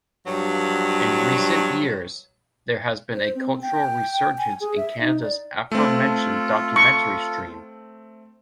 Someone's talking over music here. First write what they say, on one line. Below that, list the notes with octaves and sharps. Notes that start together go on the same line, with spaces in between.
In recent years, there has been a cultural resurgence in Canada's aforementioned documentary stream.
G2 F3 F#3
C5
C4
G5
G#5
G#4
E5
D#4
D5
A3 C4 F4 A4
C#6